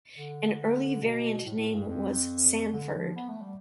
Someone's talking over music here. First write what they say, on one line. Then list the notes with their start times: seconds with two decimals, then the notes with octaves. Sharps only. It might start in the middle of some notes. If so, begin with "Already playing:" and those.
An early variant name was "Sanford".
0.17 D3
1.02 B2
1.46 A2
1.59 A2
1.74 G2
1.88 F2
2.73 D3
2.94 F3
3.16 B3
3.29 A3
3.42 G3